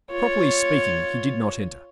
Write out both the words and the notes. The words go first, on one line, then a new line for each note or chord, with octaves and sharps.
Properly speaking, he did not enter.
F4 C#5